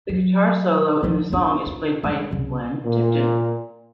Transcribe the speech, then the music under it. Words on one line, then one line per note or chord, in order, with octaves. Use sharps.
The guitar solo in the song is played by Glenn Tipton.
F#3
D3 F3
B3 D4
F4
G3 G#3
C2 C#3
A#2